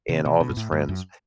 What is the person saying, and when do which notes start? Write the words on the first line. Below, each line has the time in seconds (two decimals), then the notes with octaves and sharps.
and all of his friends?"
0.09 C3
0.25 B2
0.41 B2
0.50 G2
0.57 A2
0.72 G2
0.89 F#2